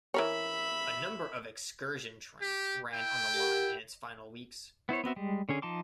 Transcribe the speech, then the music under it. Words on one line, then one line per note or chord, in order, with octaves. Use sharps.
A number of excursion trains ran on the line in its final weeks.
E3 A#4 C#5 E5 B5
G4
E4 G5
G4 A#4 F#5
B3 E4 C5 C#5
B3 C4 F#4 E5
G3 G#3
D3 C#4 G#4
F3 D#4 A5 C6 D6